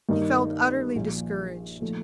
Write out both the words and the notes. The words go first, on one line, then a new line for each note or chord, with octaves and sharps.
He felt utterly discouraged.
G2 D#3 A#3 D#4
A#1 A#2 F3
A#2 F3 A3 D#4